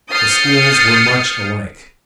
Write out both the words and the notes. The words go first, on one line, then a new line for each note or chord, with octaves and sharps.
The schools were much alike.
D#6 F6 G6 A6 C7 C#7